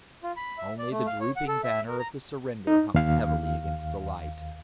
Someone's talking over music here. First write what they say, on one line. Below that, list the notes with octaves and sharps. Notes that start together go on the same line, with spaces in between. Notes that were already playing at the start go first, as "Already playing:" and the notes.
Only the drooping banner of the surrender hung heavily against the light.
F4
B5
E5
D5
A3
F5
C#5
F#5
A4
E5
A#4
A#5
D#4
D#2 F5